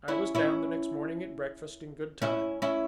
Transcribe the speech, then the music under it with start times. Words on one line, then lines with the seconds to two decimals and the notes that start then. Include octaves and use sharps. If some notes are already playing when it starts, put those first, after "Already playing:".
I was down the next morning at breakfast in good time.
0.08 C#4 E4
0.35 C#4 E4
2.22 C#4 E4
2.62 C#4 E4